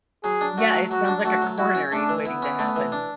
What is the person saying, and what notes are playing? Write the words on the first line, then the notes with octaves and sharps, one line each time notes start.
yeah, it sounds like a coronary waiting to happen.
F#3 G#4
D4
A3 F#4
F#3
F#3 F#4
D4
A3 F#4
F#3
E4 F#4
C#4
A3 D4
E3
B3 E4
C#4
A3
E3
D4